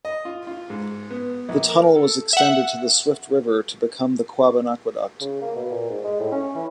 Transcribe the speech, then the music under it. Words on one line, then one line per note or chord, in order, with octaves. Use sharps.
The tunnel was extended to the Swift River to become the Quabbin Aqueduct.
D#5
F4
F4
G#2
B3
A#1
A#4
A4
E5 F#5
C#3
A#3
B2
A#2
G#2
G#3
A2
C#4
E3